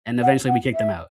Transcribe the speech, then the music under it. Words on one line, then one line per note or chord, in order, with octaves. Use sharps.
and eventually we kicked them out.
F#5
F#5
E5